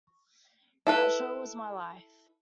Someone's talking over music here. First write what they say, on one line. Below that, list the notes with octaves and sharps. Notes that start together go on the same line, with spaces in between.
That show was my life.
E4 A4 B4